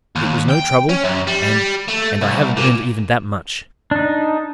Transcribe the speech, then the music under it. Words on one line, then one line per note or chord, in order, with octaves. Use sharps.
'It was no trouble, and--and I haven't earned even that much.'
D#2
G5
C#4
F#2
G3
A3
C2
A#2
D4 D#4